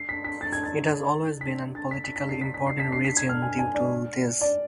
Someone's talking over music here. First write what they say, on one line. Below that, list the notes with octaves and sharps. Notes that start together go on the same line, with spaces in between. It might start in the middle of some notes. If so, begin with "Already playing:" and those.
It has always been an politically important region due to this.
Already playing: C7
B6
B6
A6
G#6
A6
B6
A6
B6
B6
B6
C7
B6
B6
C7
B6
C7
B6
G#6
F6
G#5
G#5
D5
D5